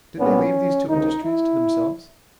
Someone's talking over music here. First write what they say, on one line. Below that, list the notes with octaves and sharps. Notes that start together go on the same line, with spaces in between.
Did they leave these two industries to themselves?
C2 A#2 G3 B3 C#4
C#2 C3 D#3 D#4
E4